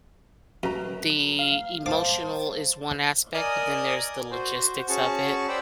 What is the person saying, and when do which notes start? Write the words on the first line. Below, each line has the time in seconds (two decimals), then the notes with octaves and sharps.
the emotional is one aspect, but then there's the logistics of it.
0.63 F#2 B4 A#5
1.39 F5
1.86 C5 F5 A5 D6
3.34 A#4 D5 D#5 G#5 D#6
4.31 F#4 C5
4.89 C#4 F#4 G#4 A5 C#6
5.48 C5 D5 F#5 G5 B5 E6